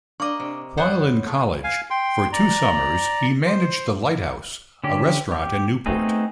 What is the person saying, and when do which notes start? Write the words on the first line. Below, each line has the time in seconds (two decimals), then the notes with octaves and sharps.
While in college, for two summers he managed The Lighthouse, a restaurant in Newport.
0.20 A#3 D4 D5 D#5 C#6 D6
0.40 C3
0.77 F#2 B3 C5 C#5 F#5 F#6
1.26 G#3 A3
1.64 F5 G#5
1.90 G5 C6
2.32 D5 A#5
3.46 C5
4.84 D3 C#4 G4
5.32 G4
5.86 A3 B3 C4 D#4 G#4